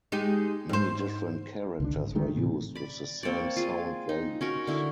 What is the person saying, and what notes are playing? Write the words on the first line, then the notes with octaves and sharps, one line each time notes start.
Many different characters were used with the same sound values.
G#3 D#4 G4
G#2 C5
C#2 D3 D4
G#1
D3 D#3 G#3 A3
A2 C3 E3
D5 B5
A#3 C4 C#5 D5
F4 G#4
D#4
C#4 F#4 A#4
D3 E4